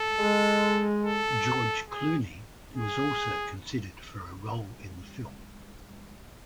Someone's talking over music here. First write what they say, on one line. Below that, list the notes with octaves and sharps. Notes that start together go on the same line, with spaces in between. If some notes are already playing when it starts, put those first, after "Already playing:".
George Clooney was also considered for a role in the film.
Already playing: A4
G#3
A4
G#4
G#4